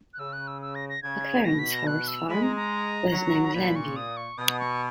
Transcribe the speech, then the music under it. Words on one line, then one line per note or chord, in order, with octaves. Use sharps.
McFerran's horse farm was named Glen View.
F#6
C#3 E6
F#6
E6
E6
A#6
A#6
C#3 G#6
B2 A#6
B6
A#6
F#6
E6
G#3 B5
A#5
A#5
F#3
A#2 B5
C#6
D#6
C#6
B2 D#6
C#6